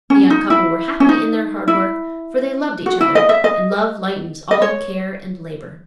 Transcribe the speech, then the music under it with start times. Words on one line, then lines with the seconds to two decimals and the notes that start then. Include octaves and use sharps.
The young couple were happy in their hard work, for they loved each other, and love lightens all care and labor.
0.10 C#4
0.30 D#4
0.50 E4
1.00 C#4
1.09 D#4
1.68 E4
2.86 F#4
3.01 E4
3.15 D#5
3.29 E5
3.44 D#5
4.51 D#5
4.62 C#5